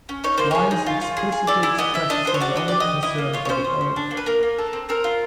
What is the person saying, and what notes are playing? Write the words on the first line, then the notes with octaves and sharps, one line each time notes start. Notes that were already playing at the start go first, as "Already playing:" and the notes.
Wines explicitly expresses his own concern for the Earth.
C#4
D#4 C#5
A#3 C5
G#4 C#5
D#4
F4
F4
G#4
G#4
E4 D5
E4
B3 D#5
E4 E5
D4 D#5
D4 C5
C#5
F#4 D5
D4 D#5
G4 D5
D#5
G4
E4 D#5
A#3
F4 C#5
C#5
C#4 C5
C#4
C#4
D4
A#3
B4
A#3 A#4
A#3
A4
C4
C4 A#4
F4